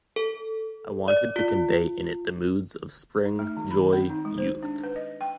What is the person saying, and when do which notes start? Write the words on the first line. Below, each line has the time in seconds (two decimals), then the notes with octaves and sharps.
I wanted to convey in it the moods of spring, joy, youth.
0.16 A4
1.08 D5
1.36 F4
3.26 D#4
3.39 A3
3.57 D#3
3.71 B5
3.93 C4
4.10 D#4
4.25 G#3
4.38 C5
4.63 D4
4.84 B4
4.96 D#5
5.21 G5